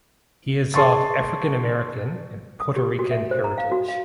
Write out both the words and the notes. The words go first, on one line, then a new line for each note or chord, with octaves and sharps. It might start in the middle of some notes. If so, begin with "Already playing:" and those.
He is of African American and Puerto Rican heritage.
G#4 A5 C6 C#6 A6
D#6
G4
F#4
E5
C5
A#5
F5
F#4
F5